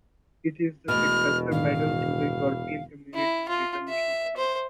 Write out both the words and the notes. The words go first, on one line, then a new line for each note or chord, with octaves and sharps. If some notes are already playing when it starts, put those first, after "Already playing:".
It is the successor medal to the European Community Monitor Mission Medal.
E1 B2 A3 F6
A2 D#3 D4 F5
E4
F4
E5
C5